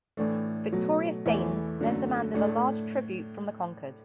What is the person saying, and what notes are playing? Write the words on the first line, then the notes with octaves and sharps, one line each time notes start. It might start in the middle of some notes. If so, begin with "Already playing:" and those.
The victorious Danes then demanded a large tribute from the conquered.
A2 E3 A3 D4
B2 F#3 A3
E2 E3 A3 E4
F#2 D3 F#3 A3
A2 A3 D4